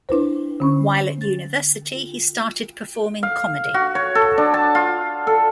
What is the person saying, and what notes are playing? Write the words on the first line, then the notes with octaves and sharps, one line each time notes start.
While at university, he started performing comedy.
D4 E4 B4 C5
D3 C#4 C#6
A6
F5
F#4
C#5
A4
D4
A5
F4
A4